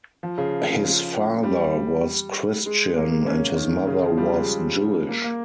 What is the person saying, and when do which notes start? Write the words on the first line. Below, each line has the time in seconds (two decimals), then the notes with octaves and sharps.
His father was Christian and his mother was Jewish.
0.23 F3
0.38 C#3
0.84 F3
1.43 G3
2.66 G#3
2.96 A#3
3.27 C#4
3.56 D#3
3.87 C#3
4.02 F3
4.17 G3
4.33 G#3
5.09 A#3
5.24 A#3